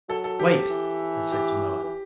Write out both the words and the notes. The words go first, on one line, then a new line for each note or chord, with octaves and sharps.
"Wait," I said to Moa.
F#3 A4
A4
G4
E3
G4
E3